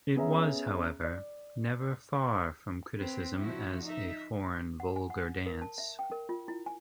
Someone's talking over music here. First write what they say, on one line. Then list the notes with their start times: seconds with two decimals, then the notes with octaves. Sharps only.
It was, however, never far from criticism as a foreign, vulgar dance.
0.16 B3 C#4 G#4 E5 A#5
1.04 D5
2.97 C4 B4
3.40 D3 F3 E4 F#4
3.85 D#4 E5
4.80 F#5
4.96 G#5
5.10 F#5
5.46 A#4
5.62 A5
5.78 E5
5.99 G5
6.12 A#4
6.29 F4
6.48 E4
6.66 G#5